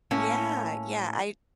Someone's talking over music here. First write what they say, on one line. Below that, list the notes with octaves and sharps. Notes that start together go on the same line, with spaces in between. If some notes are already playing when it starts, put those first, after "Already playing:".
Yeah, yeah, I
A2 A#3 C#4